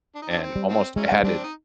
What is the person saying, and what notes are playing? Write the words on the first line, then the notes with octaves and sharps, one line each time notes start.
and almost added,
D4
D#4
C4 D4
C4
G3
D#3 F3 C4
E3 F#3 G#3 C#4
G#3
G3 C4 D4
D#4